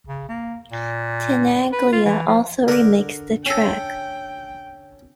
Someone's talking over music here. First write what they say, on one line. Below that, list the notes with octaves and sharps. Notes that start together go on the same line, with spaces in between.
Tenaglia also remixed the track.
C#3
A#3
A#2
B4
F4
E3
F3
D3 A#4 D5
C#4 A4 G5